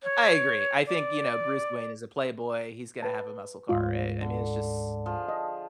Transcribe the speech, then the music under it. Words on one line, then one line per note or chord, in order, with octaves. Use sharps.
I agree. I think, you know, Bruce Wayne is a playboy. He's gonna have a muscle car. Right? I mean, it's just
C#5
D5
B4 A5
D2 G#2 G#3 F4
D3
F3 G#4
D#5